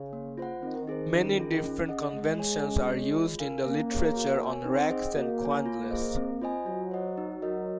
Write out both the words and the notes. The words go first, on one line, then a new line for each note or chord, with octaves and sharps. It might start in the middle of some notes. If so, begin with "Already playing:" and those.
Many different conventions are used in the literature on racks and quandles.
Already playing: C#3
A#3
F4 C5 F#5
D#3 C4
D#4 G#4 C5
C#4
F4 G#4
C#4
G#4 D#5 F#5
G#3 G#4
C#5 G#5
C#4
G#4 C#5
F4
A#4 F5 G#5
A#3 C#4
G#4 C#5 F5
F#4
A#4 C#5 G#5
C4 D#4
G#4 D#5 F#5
A#3 F#4
C#5 G#5
F4
G#4 C5 D#5
C4
F4 C5 D#5 G#5
F#3 F4
C5 D#5 F#5
D#4
F#4 A#4 D#5